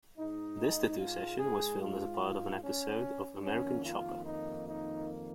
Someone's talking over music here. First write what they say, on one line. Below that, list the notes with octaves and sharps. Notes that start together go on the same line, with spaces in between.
This tattoo session was filmed as part of an episode of "American Chopper".
G#2 G#3 D#4
F4
G#4
F4
C#4
F2 D#3 A#3 C#4
F4
D#4
D#4